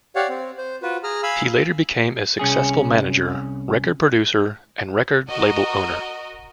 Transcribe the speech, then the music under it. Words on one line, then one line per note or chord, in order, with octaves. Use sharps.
He later became a successful manager, record producer and record label owner.
G4 C#5 D5 F5 F#5
C4
C5
F4 F#4 B4
G#4 A#5 F6
F5 G#5 B5 E6
C2 C#4 G#4
F#4 A#4 D#5